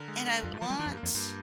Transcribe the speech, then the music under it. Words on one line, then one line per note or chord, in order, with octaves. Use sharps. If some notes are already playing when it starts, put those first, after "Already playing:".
and I want
Already playing: D3 A#4
G#3
D3
F2 F4
G2
F3 A#3
G3
D#3 A#3
F2
G2
A#3
F2
G2 A#3